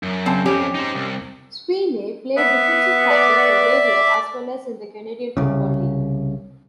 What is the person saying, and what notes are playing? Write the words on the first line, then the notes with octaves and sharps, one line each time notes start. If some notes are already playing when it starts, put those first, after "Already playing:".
Sweeney, played defensive tackle for Xavier as well as in the Canadian Football League.
F#2
C#3 C4 A5
F2 C#4 G4
D#4 C5
C2
B3 E5
D5
C2 C#3